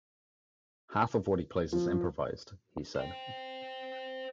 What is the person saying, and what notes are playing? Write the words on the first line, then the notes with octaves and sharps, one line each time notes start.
Half of what he plays is improvised, he said.
F3
C5 G5